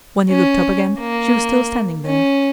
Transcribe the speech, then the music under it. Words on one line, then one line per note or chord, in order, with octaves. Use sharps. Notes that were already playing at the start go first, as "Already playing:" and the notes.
When he looked up again she was still standing there.
C#4
A#3
C#4